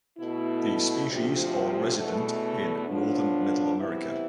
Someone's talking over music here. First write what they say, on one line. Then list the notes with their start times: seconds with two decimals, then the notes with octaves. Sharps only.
These species are resident in northern Middle America.
0.19 B2 A3 E4
1.08 D2 C3 F3
1.97 E2 B2 A3
2.86 A2 F3 B3 D4
3.76 C3 E3 B3 E4